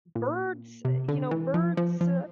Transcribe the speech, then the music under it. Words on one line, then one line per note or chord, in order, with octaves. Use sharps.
Birds, eh, you know, birds, uh,
A#2
C3
D3
E3
F3
F3
F3